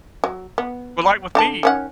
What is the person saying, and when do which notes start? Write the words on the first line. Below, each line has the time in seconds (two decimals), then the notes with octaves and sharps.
Well, like, with me,
0.24 F#3
0.58 B3
1.35 D3 G4 A5
1.63 D#3 C#4 F#5